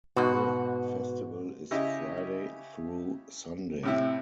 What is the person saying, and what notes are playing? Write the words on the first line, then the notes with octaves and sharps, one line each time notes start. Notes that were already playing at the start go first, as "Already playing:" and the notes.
The festival is Friday through Sunday.
G#2 B2 F#4
C#3 E4 G4 D#5
A2 C3 E4